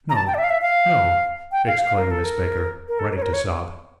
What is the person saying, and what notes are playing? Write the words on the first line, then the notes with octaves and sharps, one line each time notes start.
"No, no," exclaimed Miss Baker, ready to sob.
A#5
A5
G5
D5
E5
F5
E5
F5
G5
F5
F5
A#4
A4
A#4
A#4
A4
A#4
C#5
A#4
C#5